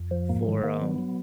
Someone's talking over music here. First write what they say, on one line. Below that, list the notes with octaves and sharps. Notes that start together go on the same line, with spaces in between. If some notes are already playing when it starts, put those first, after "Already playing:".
for, um,
Already playing: F2
F3
G#2 A#3
D#3 G#3
D#3 A#3
F#3 B3
F#3